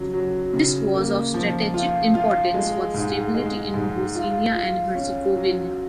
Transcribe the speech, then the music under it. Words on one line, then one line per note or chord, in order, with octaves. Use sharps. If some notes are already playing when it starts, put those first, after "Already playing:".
This was of strategic importance for stability in Bosnia and Herzegovina.
Already playing: C#3 F#3
F#3
C#3
A#3
F3
F4
F4
G#3
G#2
G#3
G#2
F4
F4
C#4
F#3